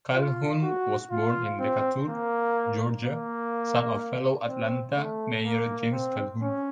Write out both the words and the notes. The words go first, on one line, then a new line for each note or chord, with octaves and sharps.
Calhoun was born in Decatur, Georgia, son of fellow Atlanta mayor James Calhoun.
F4
F#4
F4
C4
A#3
A#3
C4
A3
A#3
C4
C#4